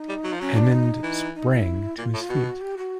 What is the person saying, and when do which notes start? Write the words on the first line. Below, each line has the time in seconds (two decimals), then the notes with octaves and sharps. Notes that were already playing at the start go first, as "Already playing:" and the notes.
Edmund sprang to his feet.
Already playing: D#4
0.09 G3
0.24 F#3
0.33 F3
0.40 F#3 C#4
0.56 D4
0.72 D#4
1.03 E3
1.35 D#4
1.51 E4
1.98 A#2 F4
2.14 A2
2.18 F4
2.29 B2 F#4
2.46 F#4
2.61 G4
2.77 F#4